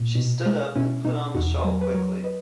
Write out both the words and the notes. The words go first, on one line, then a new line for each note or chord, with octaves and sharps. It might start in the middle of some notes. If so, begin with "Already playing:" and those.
She stood up and put on the shawl quickly.
Already playing: A#2
B2
G#3
B2 C#4 E4
B2 D#4
E2 D#4 F#4
F#3 A#4
B4
F#3 A#4 C#5
B4 D#5